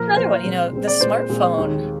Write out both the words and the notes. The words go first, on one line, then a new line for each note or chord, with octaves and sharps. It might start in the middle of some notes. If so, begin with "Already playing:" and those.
another one, you know, the smartphone,
Already playing: A#2 F3 A#3 A#4
A#2 F3 A#3 C5
A#2 G#3 C4
A#2 G#3 C4
D5
A#2 G#3 C4 C5
A#2 G#3 C4
D#2 D#3 G#3